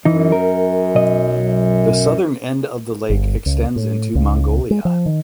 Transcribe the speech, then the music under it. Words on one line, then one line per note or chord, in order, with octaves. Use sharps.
The southern end of the lake extends into Mongolia.
F#2 E3 D#4
A#4
B1 D#5
G1
C#2
A2
C#2
G#3
F3
D#3